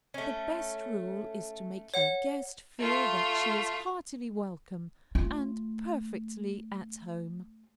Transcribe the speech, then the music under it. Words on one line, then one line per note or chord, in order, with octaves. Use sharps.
The best rule is to make your guest feel that she is heartily welcome, and perfectly at home.
A3 C#4
C#5 F#5
A3 F4
A3 F4